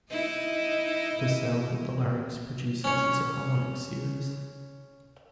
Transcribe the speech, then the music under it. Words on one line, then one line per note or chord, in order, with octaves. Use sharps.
The sound that the larynx produces is a harmonic series.
D#4 E4 D#5
C#4 C#5